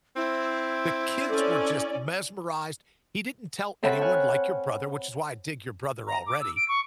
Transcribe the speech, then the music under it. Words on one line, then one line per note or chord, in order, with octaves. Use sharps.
The kids were just mesmerized. He didn't tell anyone like your brother, which is why I dig your brother already,
C4 E4
C#4 A4 D5
C4 A4 C#5 E5 F#5 B5
F#5 G#5 F6 F#6
A#5
D6
E6
D7
C#6